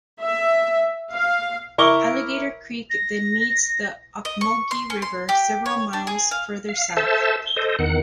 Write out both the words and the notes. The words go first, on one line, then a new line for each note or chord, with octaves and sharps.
Alligator Creek then meets the Ocmulgee River several miles further south.
E5
F5
E4 A#4 C#6 D6
A#6
D#5
C#6
C6
C#4
C6
G4
C#5
D4
G#4
F5
F5
A4 C5 E5 A5
A4 C5 D#5
E2 D#3 F#5